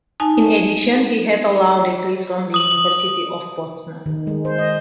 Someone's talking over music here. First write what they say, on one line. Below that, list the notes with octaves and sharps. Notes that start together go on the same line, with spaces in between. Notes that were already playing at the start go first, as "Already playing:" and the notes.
In addition, he had a law degree from the University of Poznan.
D#4 G#5 A5
D#6 F#7
D#3
G#3
C5
D#5